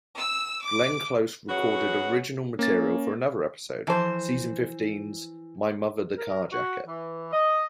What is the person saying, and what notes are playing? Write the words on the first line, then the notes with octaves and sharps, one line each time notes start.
Glenn Close recorded original material for another episode, season fifteen's "My Mother the Carjacker".
E6
D6
F#2 F#4 G#4 B4 C#5 F#5
A#3 C#4 A6
E3 F3 C5 A5 A#5
A#4
F#4
E3
D#5